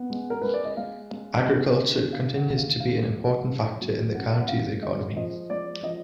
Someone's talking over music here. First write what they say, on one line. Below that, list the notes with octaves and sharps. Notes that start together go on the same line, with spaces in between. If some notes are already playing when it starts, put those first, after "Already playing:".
Agriculture continues to be an important factor in the county's economy.
Already playing: B3 F#5
G#3
A#4
G#3 B4
D5
D#5
G#3 F5
G#3
B3 D#5
D3
D3 F5
F5
F#5
D#2
F5
F3 F5
F3
F#2
F#3
F#2 F#5
F#5
F#2 F5
G#3 D#5
F3 D#5
G#3 D5
F3 D#5